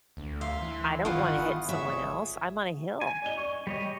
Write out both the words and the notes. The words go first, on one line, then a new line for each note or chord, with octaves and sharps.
I don't wanna hit someone else, I'm on a hill.
D2
E5 F5 C6
E3
G1 D#3 E4 F4 F#5 D#6
G#4 C#5 E5
G#5
D5 D#5 G7
C#6
G3 C#5 D#5